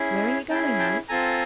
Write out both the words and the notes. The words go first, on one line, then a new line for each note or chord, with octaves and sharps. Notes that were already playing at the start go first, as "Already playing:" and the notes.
'Where are you going, Hans?'
Already playing: C#4 E4 G#4
C#4 E4 G#4 G5 A5
G5 A5
C4 F4 A4 G#5 A#5